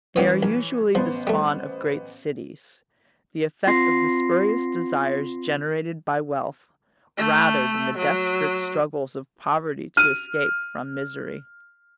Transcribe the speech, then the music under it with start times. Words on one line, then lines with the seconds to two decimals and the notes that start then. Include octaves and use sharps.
They are usually the spawn of great cities--the effect of the spurious desires generated by wealth, rather than the desperate struggles of poverty to escape from misery.
0.16 E3 G3 B3 C#4 C#5
0.43 A#1
0.95 A1 F3 B3 C5
1.27 G3 A3
3.67 C4 F4 C6 A#6 C7
7.18 A3
7.98 F#3
9.97 F6 D#7